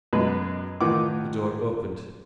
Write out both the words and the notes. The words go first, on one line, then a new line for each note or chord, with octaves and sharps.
The door opened.
F#2 B2 G#3 B4
A2 D#3 E3 F4 F#5 D6